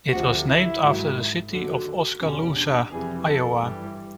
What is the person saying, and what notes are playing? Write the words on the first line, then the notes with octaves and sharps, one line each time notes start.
It was named after the city of Oskaloosa, Iowa.
D2 C3 F3 F#4
E4
G#2 D#3 F#3
D#2 D3 F#3
E2 B2 G3 C#4
D4
F2 C3 E3 G3 G#4
A4
G2 E3 G3